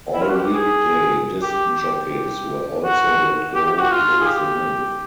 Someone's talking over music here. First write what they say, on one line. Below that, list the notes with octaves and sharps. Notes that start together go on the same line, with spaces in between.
All weekday disc jockeys were also let go with the move.
E4
F4
F#4
G4
G#4
G4
G4
G4
F#4
G4
G4
F#4
F4
G#4
G4